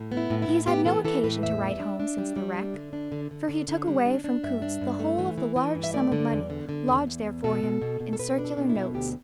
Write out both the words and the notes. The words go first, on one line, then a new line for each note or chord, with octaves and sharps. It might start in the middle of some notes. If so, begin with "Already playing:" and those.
He has had no occasion to write home since the wreck; for he took away from Coutts's the whole of the large sum of money lodged there for him, in circular notes.
Already playing: A2
B3
E4
A2
E4
A2
B3 G4
E3 A4
E3 A4
A2 B4
E2 E5
G3
D4
D4
G3
G3
D4
D3
D4
D3
D3
D3
D3
G3
D4
D4
G2 E5
D4
G2
A3
E3
E3
E3
G2
E5
A3 D5
D3
E2
D3
D3
E2
E2
E2
B2 A4
B2
B2
B2
A4
B2 B4
D4
A4
B2
E4
B2
D2 G4